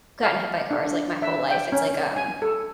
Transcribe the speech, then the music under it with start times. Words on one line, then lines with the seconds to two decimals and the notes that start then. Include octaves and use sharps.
gotten hit by, uh, cars, like, my whole life. It’s like, um
0.23 F5
0.71 D4
1.22 E5
1.51 G5
1.72 C#4
2.16 G#5
2.42 A4